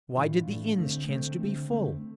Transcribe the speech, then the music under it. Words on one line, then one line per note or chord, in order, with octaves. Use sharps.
Why did the inns chance to be full?
A2 E3 A3 D4 F4
A2 E3 A3 D4 F4
D3 A3 C4
D3 A3 C4
D3 A3 C4
D3 A3 C4